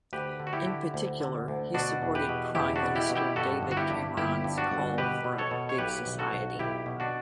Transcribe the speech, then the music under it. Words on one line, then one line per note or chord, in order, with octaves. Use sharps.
In particular, he supported Prime Minister David Cameron's call for a "Big Society".
D2 G4 B4
D3
F#4
E4 G4
D3
D2
D3
D2
B2 D4 F#4
E2
G4 B4
B2
E2 E4 G4
D4 F#4
B2
E4 G4
B2
E4 G4
G2 F#4 A4
G1
F#4
E4 G4
G2
G1 E4 G4
G2
D4 F#4
G1
B2 G4 B4
B2
A4 C#5
B2
C#5
B1 G4 B4
B1
F#4 A4
B1
B1 E4 G4
B2
D4 F#4